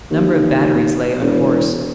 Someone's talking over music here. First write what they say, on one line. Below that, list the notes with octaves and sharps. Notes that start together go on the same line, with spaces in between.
A number of batteries lay unhorsed.
D#2
E1